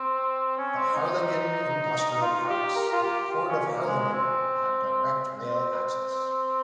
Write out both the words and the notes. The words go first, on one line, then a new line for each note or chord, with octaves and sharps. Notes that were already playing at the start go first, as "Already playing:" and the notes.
The Harlingen Industrial Parks and Port of Harlingen have direct rail access.
Already playing: C4
C#4
C4
D#4
F4
G4
A#4
F4
G4
F4
C#4
A#3
G#3
C4
C4